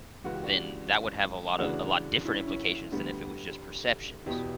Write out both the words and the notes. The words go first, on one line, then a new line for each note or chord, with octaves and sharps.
then that would have a lot of a lot different implications than if it was just perceptions,
C#2 C#3 E3 F#4
G4
D4 F#4
D2 C#3 E3 D4 F#4
C#4 E4
C#4 E4
D2 D3 G3 B3
E2 B2 E4 G4